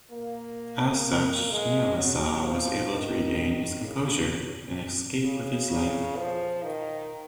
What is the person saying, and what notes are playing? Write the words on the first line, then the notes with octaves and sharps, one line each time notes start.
As such, Naomasa was able to regain his composure and escape with his life.
A#3
G#3
F#3
F3
D#3
C#3
C#3
C#3
F3
D#3